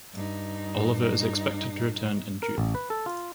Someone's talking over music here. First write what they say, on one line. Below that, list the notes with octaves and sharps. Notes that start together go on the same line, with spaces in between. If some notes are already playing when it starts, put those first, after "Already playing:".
Olivier is expected to return in June.
G2 D#4
A#4
A1
B4
A4
F4